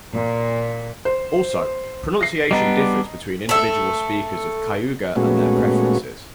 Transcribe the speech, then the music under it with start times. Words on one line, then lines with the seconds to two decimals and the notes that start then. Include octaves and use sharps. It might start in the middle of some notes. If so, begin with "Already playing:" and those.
Also, pronunciation differs between individual speakers of Cayuga and their preferences.
0.11 A#2
1.05 C5
2.21 A#6 C7
2.51 G3 B3 D4 D#5 A#5
3.49 A3 E5
5.16 A#2 G#3 A3 B3 C#4 F#4